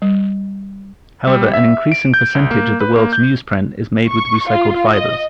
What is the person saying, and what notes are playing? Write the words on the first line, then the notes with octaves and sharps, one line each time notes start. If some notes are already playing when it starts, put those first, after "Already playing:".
However, an increasing percentage of the world's newsprint is made with recycled fibers.
G3
G3
E5
D7
G6
C2
A#3
B4
A#3
G6
C#6
F4
D#5